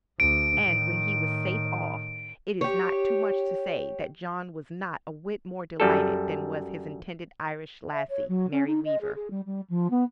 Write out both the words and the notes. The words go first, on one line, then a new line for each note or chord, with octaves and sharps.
And when he was safe off, it is not too much to say, that John was not a whit more delighted than was his intended Irish lassie, Mary Weaver.
D2 D7
A2 D#3
G4 C#5
F#2 G3 A4
E5
C#5
F#3
C#4
D#4
D#5
G#4
G#4
G3
G3
F3
B3